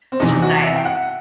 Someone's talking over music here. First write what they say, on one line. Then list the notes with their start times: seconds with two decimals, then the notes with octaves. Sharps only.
which was nice.
0.12 C4
0.20 E2 C3 E3 D#4
0.42 F#4
0.64 E5
0.76 G5
0.85 F#5